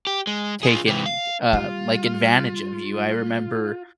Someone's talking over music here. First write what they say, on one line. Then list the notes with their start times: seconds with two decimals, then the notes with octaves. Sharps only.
taking, uh, like, advantage of you. I remember
0.07 G4
0.27 G#3
0.63 F4 G#4
0.87 C3 E3
1.06 F5
1.53 G3 F4